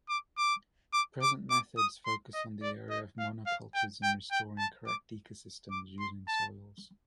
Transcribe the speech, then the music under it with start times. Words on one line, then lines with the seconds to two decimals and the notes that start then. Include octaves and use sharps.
Present methods focus on the area of monocultures and restoring correct ecosystems using soils.
0.09 D6
0.37 D6
0.93 D6
1.22 D6
1.50 D6
1.77 D#6
2.06 C6
2.34 D#5
2.62 D5
2.90 D#5
3.19 F5
3.46 F5
3.75 G5
4.03 G5
4.31 G5
4.58 A5
4.87 D6
5.71 D6
5.99 C6
6.28 A5